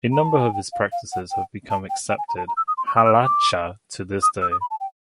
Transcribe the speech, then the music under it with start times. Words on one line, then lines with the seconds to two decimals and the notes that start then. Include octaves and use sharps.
A number of his practices have become accepted halacha to this day.
0.13 A#5
0.26 A5
0.40 G#5
0.54 G5
0.73 F5
0.92 F5
1.12 F#5
1.31 G5
1.70 A5
1.90 G5
2.09 G5
2.18 G#5
2.29 A#5
2.38 A5
2.48 A#5
2.57 E6
2.68 D#6
2.77 C6
2.87 C#6
2.96 D#6
3.06 E6
3.25 D6
4.23 D#6
4.42 E6
4.51 D#6
4.61 B5
4.71 A5
4.80 G5